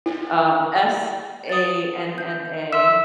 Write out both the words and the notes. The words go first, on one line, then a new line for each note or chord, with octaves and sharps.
um, S-A-N-N-A
E4
D#6 A6
G6
E5 C6 E6